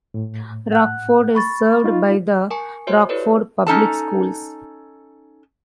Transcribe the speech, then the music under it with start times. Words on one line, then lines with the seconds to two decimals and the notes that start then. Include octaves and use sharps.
Rockford is served by the Rockford Public Schools.
0.14 A2
0.72 F#5 F#6
1.35 B5 C#6 A6
1.84 D#4 F4
2.50 A#4 G#5 A5 C#6 C#7
2.87 F#4 C5 C#5 E5 C6
3.09 E4 G4 A4 B4 C#5 D5
3.67 C#4 D#4 A4 A5